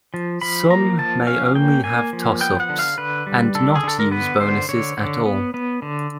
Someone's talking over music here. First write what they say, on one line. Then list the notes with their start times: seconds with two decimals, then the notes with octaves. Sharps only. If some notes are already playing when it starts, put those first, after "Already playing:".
Some may only have toss-ups and not use bonuses at all.
0.14 F3
0.41 F3 B5
0.70 A#3 A#5
0.98 F3 A5
1.27 C#4 F5
1.55 A#3 G5
1.84 A#3 G#5
2.13 F3
2.41 B3 G5
2.60 F#5
2.69 D3
2.79 F5
2.98 D3 B4
3.27 G3
3.55 D3 A4
3.75 G#4
3.83 D3 A4
3.99 A#4
4.11 B3 B4
4.40 D3 C5
4.69 D3 C#5
4.97 D3
5.26 B3
5.54 B3
5.82 D3